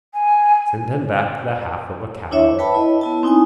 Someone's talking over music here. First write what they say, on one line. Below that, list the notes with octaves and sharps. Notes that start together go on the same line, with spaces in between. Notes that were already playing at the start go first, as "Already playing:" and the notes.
Send him back the half of a cow.
G#5
D4 E4 C#5 E5
B4 C#5 G5 A5 B5
E4 D#5
B3 E4 A5
C4 D#4 E4 G#5 D#6